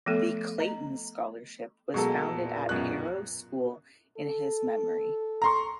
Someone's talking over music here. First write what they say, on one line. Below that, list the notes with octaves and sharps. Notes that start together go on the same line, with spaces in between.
The Clayton Scholarship was founded at Harrow School in his memory.
F3 A3 B3 A4
D#5 A#5
B2 F#3 G#3 A#3 G#4 A4
E2 A#2
F#2 B2 F#6
A4
A#5 C6 C#6